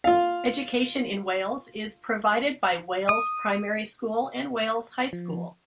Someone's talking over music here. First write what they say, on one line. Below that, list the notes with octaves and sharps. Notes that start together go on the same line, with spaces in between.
Education in Wales is provided by Wales Primary School and Wales High School.
F4 F5
D#6
F3